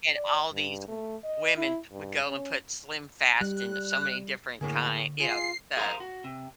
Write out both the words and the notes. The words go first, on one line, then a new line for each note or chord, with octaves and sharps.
And all these w women would go and put SlimFast in so many different kind you know, the
D5
G2
A3
D#5
E4
G2
C#4
G3 F#6
A2 D3 A#3 G#4
F4 G#4 C7
G#4 A#4 C5 C#5 F5 A#5
F#4
C3